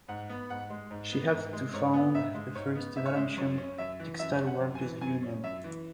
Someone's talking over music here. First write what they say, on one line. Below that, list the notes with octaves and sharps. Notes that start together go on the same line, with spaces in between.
She helped to found the first Valencian Textile Workers' Union.
G#2 F#5
B3
G#2 F#5
G#3
G#2
B3
G#2
G#3
G#2 C#5
B3
G#2 E5
G#3
G#2 C#5
B3
G#2 E5
C#5
G#3 E5
F#2 C#5
C#4
F#2 E5
E3
F#2 E5
C#4
F#5
F#2
G#5
E3
F#2 G#5
C#4
F#2 E5
E3